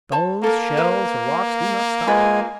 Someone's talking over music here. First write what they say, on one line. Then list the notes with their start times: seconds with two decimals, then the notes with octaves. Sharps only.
Stones, shells, or rocks do not stop it.
0.12 C5 A5
0.44 A#3 A4 A#4
0.77 A#4 B4
2.07 G#3 F4 B4 G#5